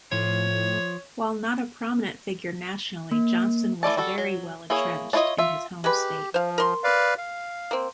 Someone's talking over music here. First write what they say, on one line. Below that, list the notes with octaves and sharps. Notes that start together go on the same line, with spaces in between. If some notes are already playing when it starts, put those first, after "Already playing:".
While not a prominent figure nationally, Johnston was very well-entrenched in his home state.
A2 F3 C#5
A#3
E3 A3 D5 A5
G3 F#4 A4
F#3
A#3 E4 G#4 C#5
D4 E4 F4 C#5 D#5
F4 E5
G#3 G4 B4
F3 C5 F5
A#4 C6
B4 D5 F5
F5
A#3 C4